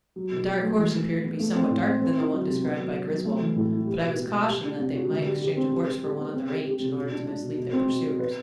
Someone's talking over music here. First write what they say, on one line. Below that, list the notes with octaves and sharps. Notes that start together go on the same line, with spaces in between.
The dark horse appeared to be somewhat darker than the one described by Griswold, but I was cautioned that they might exchange a horse for one on the range in order to mislead their pursuers.
F#3
B2
F#3
A3
E3
E3
E4
B3
A3
C4
A2
C4
C4
E4
F#3
C3
B3
F#3
B3
F#3
A3
E3
A2
E4
G3
B2
B3
B2
G3
D4
C3
F#4
D3
G3
G4
C4
G3
G3
G3
B3
C4
G4
G4
C3
B2
D4
D4
B2
B2
C4
B2
B2
B4